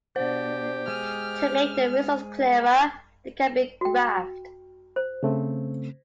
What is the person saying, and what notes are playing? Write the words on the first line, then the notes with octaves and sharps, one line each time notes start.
To make the results clearer, they can be graphed.
B2 D4 G4 C5
G#3 G#4 F6
F#4 G5
C5
C#3 A3 C4